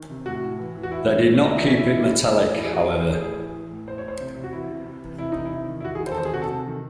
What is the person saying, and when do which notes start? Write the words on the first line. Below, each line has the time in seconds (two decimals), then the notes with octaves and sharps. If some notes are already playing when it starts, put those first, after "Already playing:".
They did not keep it metallic, however.
Already playing: D#3
0.10 C3
0.25 A2 F#4
0.42 A2
0.58 E3
0.75 E3
0.83 F#4
0.91 E3 E4
1.08 E3
1.24 E3
1.41 A2
1.48 E4
1.57 E3 D#4
1.68 C#4
1.73 A2
1.79 E4
1.90 E3
2.07 E3
2.23 E3
2.39 A2
2.55 E3 E4
2.64 G#4
2.72 E3 F#4
2.80 G#4
2.88 E3 A4
3.00 C5
3.05 E3
3.11 G#4
3.21 A2 G#4
3.38 E3
3.54 E3
3.70 A2
3.87 A2 C5
3.98 C#5
4.04 A2 C5
4.20 C3
4.36 C3
4.44 F#4
4.53 E3 E4
4.69 C3
4.86 C3
5.02 E3
5.18 C3 E4
5.32 E3 D#4
5.45 E4
5.52 C3
5.68 D#3
5.80 E4
5.84 D#3 F#4
5.95 G#4
6.01 D#3
6.06 C5
6.12 A4
6.17 D#3 C5
6.25 G#4
6.33 C3 F#4
6.42 A4
6.50 C3
6.67 D#3